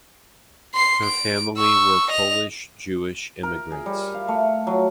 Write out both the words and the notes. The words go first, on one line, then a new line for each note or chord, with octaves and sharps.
Her family were Polish Jewish immigrants.
C6 C7
D7
C#6 E6
D#5 F7
A#4
G#4
G3
F5
A3
F#3